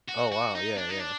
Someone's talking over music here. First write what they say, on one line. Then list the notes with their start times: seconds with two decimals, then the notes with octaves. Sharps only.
Oh, wow, yeah, yeah.
0.09 F#4
0.32 F#4
0.55 D#4
0.78 D4
0.90 D#4
1.00 D4